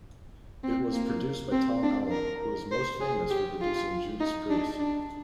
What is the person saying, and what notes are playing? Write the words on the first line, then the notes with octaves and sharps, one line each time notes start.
It was produced by Tom Allom, who is most famous for producing Judas Priest.
C4
A#3
C4
D4
A#4
C5
G#4
G4
F4
D#4
D4
D4